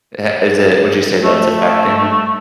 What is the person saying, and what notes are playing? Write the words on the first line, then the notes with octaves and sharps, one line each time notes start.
Ha is it would you say that it's affecting
A3